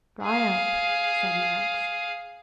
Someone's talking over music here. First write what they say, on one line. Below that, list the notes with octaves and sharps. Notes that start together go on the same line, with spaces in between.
"Dry up," said Max.
G#4 F5